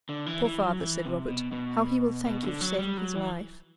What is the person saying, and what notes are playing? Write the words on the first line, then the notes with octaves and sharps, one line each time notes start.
"Poor father," said Robert; "how he will thank you for saving his life."
D3
E3
E3
F#3
E3
C3
B2
B2
B2
D3
F#3
G3
F#3
E3